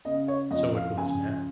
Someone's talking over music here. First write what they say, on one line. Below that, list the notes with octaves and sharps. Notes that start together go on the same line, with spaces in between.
So it was now.
C#3 D#5
C#5
F2 D#5
F5
C#3 G#5